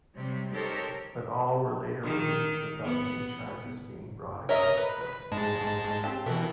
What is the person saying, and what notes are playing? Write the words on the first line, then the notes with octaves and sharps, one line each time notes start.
But all were later released without any charges being brought against them.
C3 F#3 G3
D#4 G4 A4 A#4 C5 C#5
D#3
B3
A#4 C#5 D#5 E5 A#5
B4
G#2 G#3 A5
C4 G4 A5
B2 E3 A#4 B4